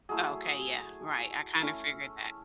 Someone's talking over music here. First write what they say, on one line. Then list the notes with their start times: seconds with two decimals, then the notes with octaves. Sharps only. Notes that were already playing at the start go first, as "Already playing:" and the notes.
Okay, yeah, right, I kinda figured that.
0.09 F#3 A3 E4 G#4
1.60 A3 C#4 E4